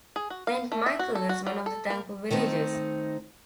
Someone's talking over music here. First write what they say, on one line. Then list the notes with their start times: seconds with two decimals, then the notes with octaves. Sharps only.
Saint Michael is one of the Thankful Villages.
0.16 G#4
0.30 F#4
0.47 F5
0.72 A3
0.86 E5
0.99 F#4
1.15 A4
1.29 F#4
1.47 F#3
1.66 A4
1.90 A#3
2.30 D#3 A3 C4 D#4